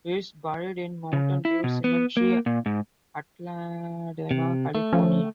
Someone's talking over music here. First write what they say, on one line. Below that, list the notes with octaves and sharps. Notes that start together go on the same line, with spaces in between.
He is buried in Mountain View Cemetery, Altadena, California.
C#3
E4
B2
B3
A#3
A#2
G#2
C3
A3
F3 C#4